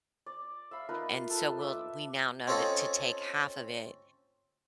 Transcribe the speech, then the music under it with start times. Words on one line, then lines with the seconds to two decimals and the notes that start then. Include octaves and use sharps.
and so, we'll, we now know that to take half of it
0.26 D5
0.71 E5 F5 B5
0.89 D#4 F4 A#4 B4
1.30 A4 B4
1.59 D5 E5
2.47 C4 C#4 F4 A4 D#5